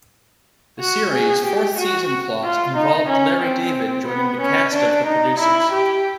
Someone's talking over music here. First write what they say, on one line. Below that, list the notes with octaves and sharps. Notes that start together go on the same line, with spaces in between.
The series' fourth season plot involved Larry David joining the cast of "The Producers".
F#4
G#4
G4
F#4
F4
D#4
C#4
C4
B3
C#4
D4
D#4
E4
G4